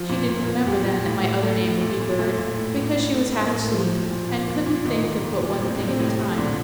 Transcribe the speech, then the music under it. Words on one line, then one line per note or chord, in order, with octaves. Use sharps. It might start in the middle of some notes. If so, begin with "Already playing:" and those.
She didn't remember then that my other name would be Bird, because she was half asleep, and couldn't think of but one thing at a time.
Already playing: F3 F4
A#2
A#2
A#2
A#2 G3 G4
A#2
A2
A2
A2 A3 A4
A2
A#2
A#2
A#2 A3 A4
A#2
A2
A2
A2
A2
A2 C4 C5
A#3 A#4
A2
A3 A4
A2 F3 F4
A2
A#2
A#2
A#2
A#2
A#2 D#3 D#4
A#2
A#2
A#2
A2 C4
D4
A2
C3 C4
A2
A2
A#2 D3 D4